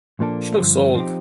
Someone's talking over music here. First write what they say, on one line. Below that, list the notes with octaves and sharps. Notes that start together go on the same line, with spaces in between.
She looks old.
A#2 F3 A#3 D4 A4
G2 D3 F3
F3 C4 D#4 G4